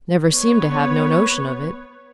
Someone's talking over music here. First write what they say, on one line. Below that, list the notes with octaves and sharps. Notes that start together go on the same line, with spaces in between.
Never seemed to have no notion of it.
B3 B4 C#5